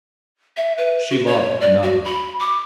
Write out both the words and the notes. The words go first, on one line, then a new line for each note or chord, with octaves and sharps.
She loved another.
E5
B4
F#4
C#5
D5
F#4
B5
D6